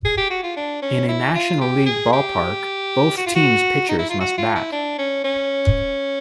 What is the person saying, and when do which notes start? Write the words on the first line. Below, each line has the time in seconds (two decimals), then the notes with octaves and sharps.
In a National League ballpark, both teams' pitchers must bat.
0.05 G#4
0.17 G4
0.30 F#4
0.43 F4
0.57 D4
0.82 C#4
1.08 E4
1.35 F4
1.61 G4
1.86 G#4
2.13 G4
3.17 F#4
3.26 F4
3.35 F#4
3.89 D#4
3.99 E4
4.10 F4
4.20 F#4
4.38 F4
4.55 E4
4.72 D4
4.98 C#4
5.24 C#4